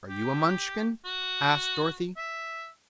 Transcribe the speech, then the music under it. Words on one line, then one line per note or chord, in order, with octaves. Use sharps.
"Are you a Munchkin?" asked Dorothy.
G4
F#4
E5